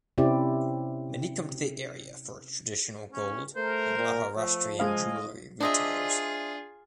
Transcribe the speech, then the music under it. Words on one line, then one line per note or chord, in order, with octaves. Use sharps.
Many come to the area for its traditional gold and Maharashtrian jewelry retailers.
C3 C4 C#4 E4 G4 D5
C#4
A3 A#4 C5
A#2
F3 A3
G#3 D#5 F5 G#5
D4 F4 G#4 C5 D#5 E5